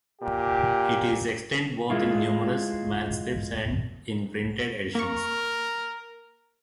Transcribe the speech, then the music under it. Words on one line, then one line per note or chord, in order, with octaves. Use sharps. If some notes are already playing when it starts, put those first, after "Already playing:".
It is extant both in numerous manuscripts and in printed editions.
A#2 G4
G#3 E4 F4
A#3 A#4 C#6